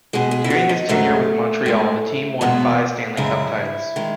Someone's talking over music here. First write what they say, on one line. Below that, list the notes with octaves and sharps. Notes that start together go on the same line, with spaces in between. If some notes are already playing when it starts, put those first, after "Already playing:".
During his tenure with Montreal the team won five Stanley Cup titles.
B2 G#3 G#4
G#4
E4
F#4
D#4
G#2 F#3 A3
A2 G#3
E2 B2 G#3 B3
F#2 C#3 G#3 E4
D#3 G#3